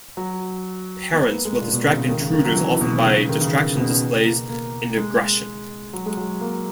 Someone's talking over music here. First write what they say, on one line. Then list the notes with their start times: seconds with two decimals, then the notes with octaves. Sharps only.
Parents will distract intruders often by distraction displays and aggression.
0.17 F#3
1.13 B3
1.29 A#3
1.45 G#3
1.61 A#2
1.73 B2
1.85 C#3
1.97 C#3
2.09 D#3
2.21 C#3
2.34 D#3
2.45 F#3
2.56 E3
2.81 B2
3.05 C#3
3.17 C#3
3.29 D#3
3.41 C#3
3.77 B2
4.25 A#3
4.49 A#3
4.97 G#3
5.93 F#3
6.06 G#3
6.17 F#3
6.41 A#3